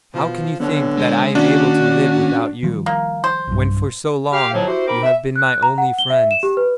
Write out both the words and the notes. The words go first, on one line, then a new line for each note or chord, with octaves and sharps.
'How can you think that I am able to live without you, when for so long you have been my only friends?
B2 F3
D3 B3 C#5
G#3
D#3 A#3 C#4 D4 F#4
D#3 F3 G3
A#3
C5
B1 G2
G4 F5
F2 A2 D3 F3 F#3
E4 F#4 G4 C5
C4 D#4 A#4 B5 D6
E5
F#6
A#5
F#5
G7
E5
E7
G4
B4